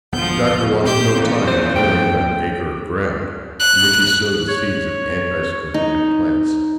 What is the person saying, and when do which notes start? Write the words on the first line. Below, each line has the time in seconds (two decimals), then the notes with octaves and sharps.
The Doctor lost no time in clearing about an acre of ground, in which he sowed the seeds of anti-scorbutic plants.
0.13 D1 F2 F3 B3 G6
0.84 A#2 C4 G4 C5 G6
1.16 E2 C#3 A#3
1.47 F2 C5
1.76 G2 F3 A3 G5
3.60 F#6
4.48 C#5
5.74 D#4